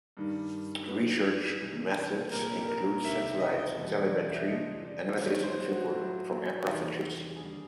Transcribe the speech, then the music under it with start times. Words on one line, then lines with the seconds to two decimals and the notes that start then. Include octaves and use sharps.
Research methods include satellite telemetry analysis and fieldwork from aircraft and ships.
0.17 G2 D#3 G3
0.88 G#2 D#3 F#3 B4
1.60 C2 C3 E3 G#3
2.32 C2 A#2 G3 A#4
2.68 A#4
3.04 C#2 C3 D#3 E5
3.22 E5
3.40 D#5
3.58 D#5
3.76 E2 B2 G3
3.94 D5
4.13 D5
4.30 E5
4.48 C2 C3 F3 G#3 D#5
4.85 D5
5.20 F#2 D#3 G#3 C#5
5.44 C5
5.69 F#4
5.92 A2 F#3
6.64 E2 C3 D#3 G3
7.36 D#2 D3 G3 G#4